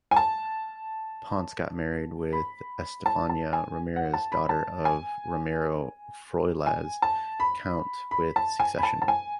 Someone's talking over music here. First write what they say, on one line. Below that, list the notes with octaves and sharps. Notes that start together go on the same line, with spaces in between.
Ponce got married with Estefania Ramirez, daughter of Ramiro Froilaz count with succession.
G#5
A5
B5
A5
A5
G#5
F#5
A5
B5
A5
G#5
G#5
A5
B5
B5
A5
G#5
B5
A5
A5
G#5